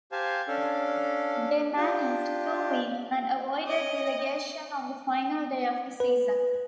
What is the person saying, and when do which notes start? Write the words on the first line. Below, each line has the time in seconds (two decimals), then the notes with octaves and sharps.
They managed two wins and avoided relegation on the final day of the season.
0.12 G4 C5 F5 G#5 A5
0.48 C#4 D4 A4 F5
1.76 D4 F4 G4
3.66 C#5 D#5
6.00 B4